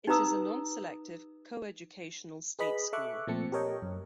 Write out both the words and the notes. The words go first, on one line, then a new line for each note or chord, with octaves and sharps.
It is a non-selective, coeducational state school.
D#4 G4 B4 A#5 D#6 E6
G#4 B4 D#5 B5
A4 E5 C#6 D6 F#6
A#2 F3 A3 C4 A5 C#7
G4 A4 A#4 C#5 D#5 G5
F#2